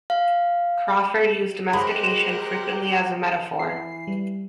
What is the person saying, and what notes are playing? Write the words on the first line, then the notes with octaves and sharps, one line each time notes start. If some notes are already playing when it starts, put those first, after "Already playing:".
Crawfurd used domestication frequently as a metaphor.
F5
G#3 G4 A#4 C5 B5 F#6
E3 C7
G3